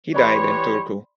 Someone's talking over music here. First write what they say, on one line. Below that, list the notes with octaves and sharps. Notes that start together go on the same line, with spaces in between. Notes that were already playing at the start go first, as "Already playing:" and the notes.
He died in Turku.
E3 G4 C#5 D5 B5 C6